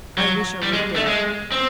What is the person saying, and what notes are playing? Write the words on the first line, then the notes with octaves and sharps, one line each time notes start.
I wish I were dead.
F#3
G3
G#3
A3
G#3
C4